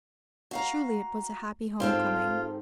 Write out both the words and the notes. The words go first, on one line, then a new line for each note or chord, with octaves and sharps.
Truly it was a happy home coming.
F#4 F5 A#5
G#2 C4 F4 G4 A4 C5